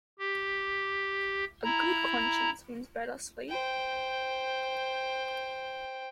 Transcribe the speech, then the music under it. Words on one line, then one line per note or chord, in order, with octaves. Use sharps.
A good conscience means better sleep.
G4
E4 A#5
C5 G5